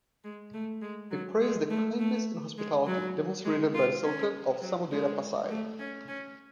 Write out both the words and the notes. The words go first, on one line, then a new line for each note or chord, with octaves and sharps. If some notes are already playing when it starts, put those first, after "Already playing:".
He praised the kindness and hospitality demonstrated by the sultan of Samudera Pasai.
G#3
A3
G#3
F#3
G#3
A3
A3
G#3
F#3
G#3
F4
C#4
F#3
G#3
A3
C#4
C#4